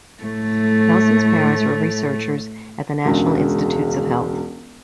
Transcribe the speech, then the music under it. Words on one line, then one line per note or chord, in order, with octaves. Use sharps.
Nelson's parents were researchers at the National Institutes of Health.
A2 A3
E1 C#2 D4